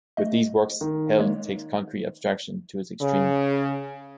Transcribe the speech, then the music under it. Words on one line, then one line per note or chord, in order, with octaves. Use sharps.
With these works Held takes concrete abstraction to its extreme.
A3 D#5
D#3
G#3 A#3 C#5
C#3